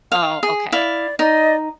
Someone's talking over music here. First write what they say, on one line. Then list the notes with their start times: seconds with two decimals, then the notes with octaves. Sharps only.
Oh, okay.
0.12 F5
0.43 G#4
0.72 E4 D5 F5
1.19 D#4 D5 D#5